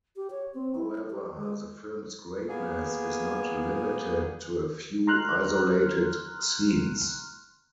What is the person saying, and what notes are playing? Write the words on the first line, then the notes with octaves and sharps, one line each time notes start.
However, the film's greatness is not limited to a few isolated scenes.
G4
C#5
C4
E4
G4
G#3
A#3 B3 G#4
A#5 C6 F6 F#6